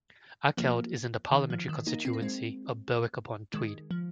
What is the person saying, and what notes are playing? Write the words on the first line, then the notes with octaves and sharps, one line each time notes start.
Akeld is in the parliamentary constituency of Berwick-upon-Tweed.
F3 A#3
D#3
F3
D#3
A#3 D#4
C4
A#3
G#3 C4
D#3 G#3
F3